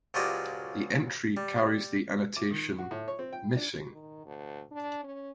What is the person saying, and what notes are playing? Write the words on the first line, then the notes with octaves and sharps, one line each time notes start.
The entry carries the annotation "Missing".
C#2 F3 F#3 G4 D5 D#5
G3
D6
D#3
F#4
A2
C#5
C4
G5
D4
D#3
D2
D4
C#4